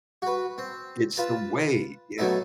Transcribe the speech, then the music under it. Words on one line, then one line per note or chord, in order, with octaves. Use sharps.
it's the way, yeah.
F#4 B4
C4
F4 B4 A5
F#3 A3 B3 D#4 A4